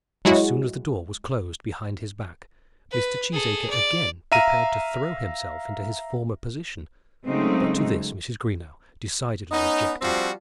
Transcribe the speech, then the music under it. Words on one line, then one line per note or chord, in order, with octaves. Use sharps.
As soon as the door was closed behind his back, Mr. Cheesacre again prepared to throw himself into his former position, but to this Mrs. Greenow decidedly objected.
F#3 G#3 E4 F#4
B4
G#4 A4
D5
E5 F5 A#5 D#7
C#3 F#3 G#3 A3 C4 D#4
B3 C#4 D#4
F3 G3 C4 D4 F#4